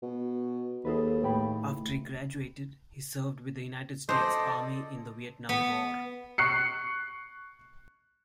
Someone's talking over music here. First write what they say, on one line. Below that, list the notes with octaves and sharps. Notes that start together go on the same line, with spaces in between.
After he graduated, he served with the United States Army in the Vietnam War.
B2
D#2 G#4 A4 B4
A2 G5 B5
A4 C5 D5 D#5
B3
C#6 F#6 C7 C#7